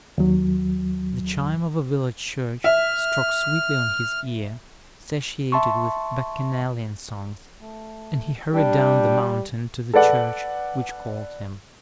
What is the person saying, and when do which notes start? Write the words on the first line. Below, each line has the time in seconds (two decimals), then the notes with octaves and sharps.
The chime of a village church struck sweetly on his ear, satiated with Bacchanalian songs; and he hurried down the mountain to the church which called him.
0.18 D#2 F#3
2.64 E5 F6
5.52 E5 A5 C6 C#6
7.61 A3
8.54 G3 D4 G5
9.93 A4 B4 D5 F#5